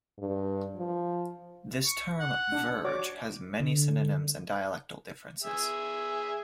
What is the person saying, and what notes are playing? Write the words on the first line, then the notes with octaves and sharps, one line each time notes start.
This term "verge" has many synonyms and dialectal differences.
G2
F3
C#6
F#5
D4
F#4 C#5 D5 D6
D3
G#4 E5